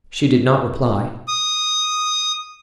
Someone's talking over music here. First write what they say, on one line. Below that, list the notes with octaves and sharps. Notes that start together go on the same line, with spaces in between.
She did not reply.
D#6